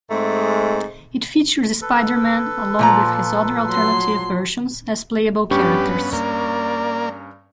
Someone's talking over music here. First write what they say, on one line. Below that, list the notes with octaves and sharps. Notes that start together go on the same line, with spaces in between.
It features Spider-Man, along with his other alternative versions, as playable characters.
G#2 G#3 A3 C4
A4 B4
A#2 F3 A#5
F#3 C6
G2 B3 C#4 G4 C#6
A#3 D5